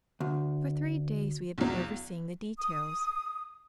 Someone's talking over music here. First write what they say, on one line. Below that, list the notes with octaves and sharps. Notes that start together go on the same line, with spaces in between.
For three days we had been overseeing the details.
D2
B1 E2
D#6